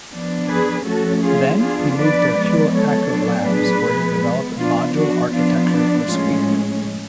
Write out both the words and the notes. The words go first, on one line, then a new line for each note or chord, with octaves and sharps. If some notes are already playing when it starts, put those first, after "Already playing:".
Then he moved to Hewlett-Packard Labs, where he developed a module architecture for Squeak.
F3 B3 D4
G#4 B4
F3 A3 C#4 F#4 A4
F4 G#4
F3 B3 D4 F4 G#4
B4 D5
F3 G#3 B3
A4 C#5
A2 F#3 B3 D4
G#4 B4
F3 G#3 B3
F3 B3 D4 F4
D4 F#4
F3 B3 D4 F4
D4
A2 F3 G#3 C#4 F4